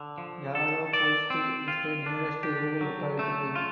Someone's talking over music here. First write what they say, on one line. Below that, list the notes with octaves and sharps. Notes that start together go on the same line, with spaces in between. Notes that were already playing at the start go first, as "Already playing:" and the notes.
Yaropoltsy is the nearest rural locality.
Already playing: D3
F3
A4
D5
C4
F4
D4
G4
F#3
A3
F4